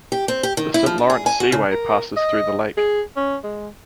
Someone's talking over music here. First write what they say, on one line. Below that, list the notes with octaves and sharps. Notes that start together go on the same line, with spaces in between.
The St. Lawrence Seaway passes through the lake.
G4
C4
G4
D#3
E4
F3
D4
G#4
G#5
F#4
C#3
A#4
D#5
G#4
C#4
G#3